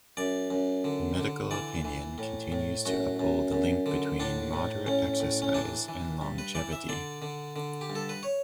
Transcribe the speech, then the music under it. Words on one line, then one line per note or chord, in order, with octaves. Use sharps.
Medical opinion continues to uphold the link between moderate exercise and longevity.
F#2 D5
F#2
D3
D3
E3 D5
E3
A2
A2
F#2 F#4
F#2
F#2
D3
A2 D4
A2
A2 C#4
A2
C#4
E3 D4
E3
G2
B4
E3 D5
E5
D3 D5
D3
D3
G4
G2
A4
B4
C#5